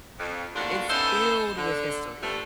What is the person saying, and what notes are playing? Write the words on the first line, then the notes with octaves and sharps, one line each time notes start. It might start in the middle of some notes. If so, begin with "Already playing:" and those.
it's filled with history.
F2
D#2 A2 D4 F4 F#4
B3 C#4 D#4 E4 A4 C5
D3
G2 F3 G3 A3